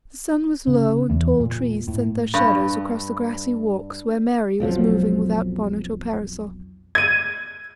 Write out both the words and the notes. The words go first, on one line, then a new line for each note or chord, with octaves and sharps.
The sun was low, and tall trees sent their shadows across the grassy walks where Mary was moving without bonnet or parasol.
C#3
E2
A#2
A2
G2 B5
B1 F2 F3 F#3
G#6 D#7